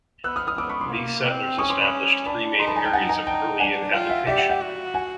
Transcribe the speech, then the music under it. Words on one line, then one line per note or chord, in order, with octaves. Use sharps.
These settlers established three main areas of early inhabitation.
B3 E6 F#6
D#6 F6
D#6 F6
B3 D6 E6
B5 C#6
C6 D6
A#3
C4
C#4 C#6 D#6
C6 D6
B5 C#6
D4 A5 B5
D#4 A#5 C6
A5 B5
G#5 A#5
G5 A5
F#5 G#5
G#5 A#5
G5 A5
D4 F#5 G#5
F4 F5 G5
E5 F#5
G4 D5 E5
E5 F#5
E5 F#5
F#4
F#5 G#5